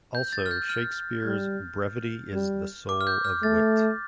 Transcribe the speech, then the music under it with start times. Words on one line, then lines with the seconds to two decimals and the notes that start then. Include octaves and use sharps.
Also Shakespeare's "Brevity is the soul of wit".
0.15 G6
0.33 A6
0.46 F6
0.51 G6
0.69 F6
1.25 G3
2.33 G3
2.89 D6
3.01 F6
3.07 G6
3.24 F6
3.43 A3 A6